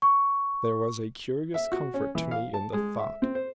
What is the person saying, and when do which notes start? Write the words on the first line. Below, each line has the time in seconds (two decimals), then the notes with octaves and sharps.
There was a curious comfort to me in the thought.
0.02 C#6
1.54 E5
1.72 F#4
1.94 C#4
2.15 E3
2.31 F5
2.54 A5
2.73 G#3
2.99 E5
3.22 C4
3.35 C5